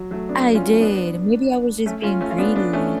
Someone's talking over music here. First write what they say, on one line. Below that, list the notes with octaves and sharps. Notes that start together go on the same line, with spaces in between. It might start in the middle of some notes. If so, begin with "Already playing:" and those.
I did. Maybe I was just being greedy.
Already playing: F#3
F#3 A3
B3 D4
C#4 F4
B3 D4
A3 C#4
C#4 F4
A3 C#4
F4
B3 D4
B3 D4
A3 C#4